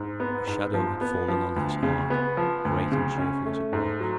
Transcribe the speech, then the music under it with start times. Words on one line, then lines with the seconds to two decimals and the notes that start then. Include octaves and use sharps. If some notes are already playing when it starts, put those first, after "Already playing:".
A shadow had fallen on his heart, great and cheerful as it was.
Already playing: G#2
0.20 B3
0.47 G#2
0.74 F3
1.01 B3
1.28 F3
1.56 D2
1.83 C#3
2.10 B3
2.37 F3
2.65 D2
2.92 C#3
3.18 C#4
3.46 A3
3.73 G#2
4.00 F#3